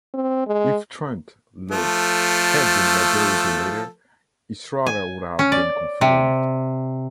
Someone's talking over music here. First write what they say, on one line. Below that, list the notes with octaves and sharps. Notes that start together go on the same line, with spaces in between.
If Trent Lott had been majority leader, Estrada would have been confirmed.
C4
G#3
F3 A3 A4
G#5
C#4
D5
C3